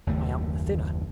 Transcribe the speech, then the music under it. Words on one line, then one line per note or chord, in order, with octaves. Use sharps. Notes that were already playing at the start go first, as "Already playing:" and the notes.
I am thinner.
F#1 D#2 A3